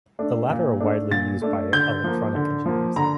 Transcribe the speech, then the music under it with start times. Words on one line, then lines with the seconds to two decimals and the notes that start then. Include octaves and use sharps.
The latter are widely used by electronic engineers.
0.19 A3 D4
0.50 A#2
0.80 A3 D4
1.11 A#2 A6
1.42 A3 D4
1.73 D3 G6
2.04 F3 A#3
2.35 D3
2.65 F3 A#3
2.96 D3 A#5